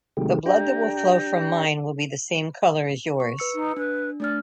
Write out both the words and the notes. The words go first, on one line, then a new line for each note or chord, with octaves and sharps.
The blood that will flow from mine will be the same color as yours.
C3 D#3 F#3 G#3 A3 G4
D4 G4 G5 A#5
C#6
B4 E6 C#7
D#4
D4 B4
A3 D4 D5 F6